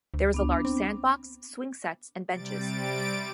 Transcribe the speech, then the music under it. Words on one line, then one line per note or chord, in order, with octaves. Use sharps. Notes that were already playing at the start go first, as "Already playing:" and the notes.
There is a large sandbox, swing sets, and benches.
D2
C#2 B3 D4
C4
C3 G3 A6 D7